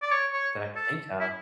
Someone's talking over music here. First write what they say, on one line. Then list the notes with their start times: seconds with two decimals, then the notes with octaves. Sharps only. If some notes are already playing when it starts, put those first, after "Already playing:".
that I can think of.
0.02 D5
0.12 C#5
0.33 C#5
0.76 A4
1.21 E4